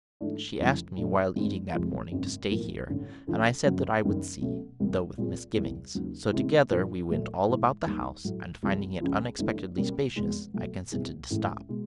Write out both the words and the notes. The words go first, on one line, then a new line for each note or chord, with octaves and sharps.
She asked me while eating that morning to stay here, and I said that I would see, though with misgiving: so together we went all about the house, and finding it unexpectedly spacious, I consented to stop.
G#2 E3 A3 D4
F1 F2 C#3 E3 G3
A#2 F#3 A3 D4
G2 D#3 G#3 C4
F1 F2 C3 F3 G#3
G#1 F#2 C#3
B1 A2 F3 A#3
A1 G2 D3
D2 D3 F3 A3 C#4
G1 F#2 C#3 F#3
F#1 F#2 D#3 G3 A#3
B2 F#3 A3 C#4
C2 B2 G3 A#3
A#2 G3 C4 F4 G#4
E2 C3 E3 G3 A#3
D#2 C#3 F#3
C3 E3 G#3 C#4
A#2 F3 A#3 D4 F4
A#2 F#3 A3
A2 E3 G#3
D#2 D#3 G3
A2 F#3 A3
C2 C3 F3 G#3
C#2 C#3 F3
G1 G2 E3 A3
B2 G3 A#3 C#4
F1 E2 B2 G#3
B2 F#3 A3
B2 G3 C4 E4 G#4
A1 A2 E3 G#3
B2 G#3